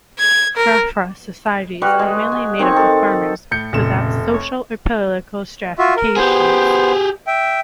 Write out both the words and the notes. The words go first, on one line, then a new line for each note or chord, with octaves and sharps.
Frafra societies are mainly made up of farmers, without social or political stratification.
G#6
A#4
G3 F#4 B4
G#3 G#4
G#5
D#3 C4 G#5 C#6
C4 A4
A2 G6 C#7
F1 A#2 C#3 A3 E7
C#5
F4 F#4 E5
A#4
B3 G4 G#4 C5
E5 G5